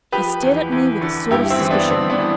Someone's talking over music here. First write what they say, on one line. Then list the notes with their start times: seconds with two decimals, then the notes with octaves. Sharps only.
He stared at me with a sort of suspicion.
0.12 F3 G4 B4
0.42 E2
0.72 E2
1.01 D3
1.30 G2 E4 G4
1.50 C4 E4
1.60 E3
1.70 B3 D4
1.90 G2 C4
2.10 B3 D4
2.19 E3